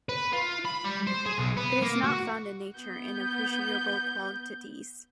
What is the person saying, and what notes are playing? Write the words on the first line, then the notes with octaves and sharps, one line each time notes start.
It is not found in nature in appreciable quantities.
B4
F4
B5
G3
C5
G#4
B1
B3
A#3
F#4
B3 G6